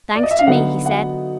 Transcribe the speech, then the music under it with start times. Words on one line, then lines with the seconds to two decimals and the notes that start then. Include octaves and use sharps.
"Thanks to me," he said.
0.15 D5
0.23 D#5
0.31 E5
0.39 F5
0.47 D3 F#3 B3 D#4 F#5
0.86 F#5